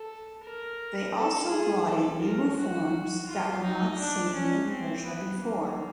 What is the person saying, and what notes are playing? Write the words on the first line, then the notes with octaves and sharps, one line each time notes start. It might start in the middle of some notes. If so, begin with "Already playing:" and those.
They also brought in new reforms that were not seen in Persia before.
Already playing: A4
A#4
A4
G#4
A4
A#4
F#4
F4
D#4
D4
C#4
C4
B3
A#3